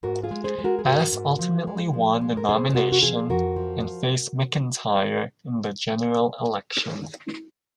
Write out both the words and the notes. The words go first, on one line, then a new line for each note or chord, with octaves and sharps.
Bass ultimately won the nomination, and faced McIntyre in the general election.
G#2 F#4 A#4
F4 G#4
G#3
G#4 C5
G#3
F#4 A#4
G#4
G#2 F#4 A#4
G#2
F3
G#3
F3
G#3
A#4
C3 G#4 C5
G#4
C3 F#4 A#4
F#4
F3 F4 G#4
F2 F#4 A#4
F3